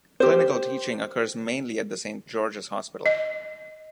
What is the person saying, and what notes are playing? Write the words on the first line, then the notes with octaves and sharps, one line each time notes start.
Clinical teaching occurs mainly at the Saint George's Hospital.
G4 C5
D#5